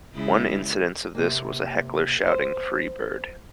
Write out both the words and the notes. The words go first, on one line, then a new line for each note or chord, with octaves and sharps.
One incidence of this was a heckler shouting Free Bird!
C#3 G#3 E4
C3 A#3
C5